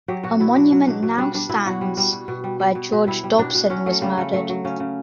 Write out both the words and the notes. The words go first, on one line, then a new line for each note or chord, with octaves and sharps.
A monument now stands where George Dobson was murdered.
F#3 G4
B2 F#4
B2 E4
F#3 D4
F#3
B2 D4
B2
G3 D4
G3 D4
B2 E4
B2 F#4
G3
G3
B2
B2
G3
G3
B2
B2
G3 E4
G3
B2 D4
B2
F#3 C#4
F#3 A3
C#3 G3
C#3 A3
F#3 A3
F#3
C#3 C#4
C#3